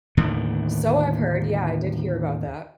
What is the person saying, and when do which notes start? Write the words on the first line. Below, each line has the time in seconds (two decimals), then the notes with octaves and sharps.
So I've heard, yeah, I did hear about that.
0.17 D#2 A2 D3 D#3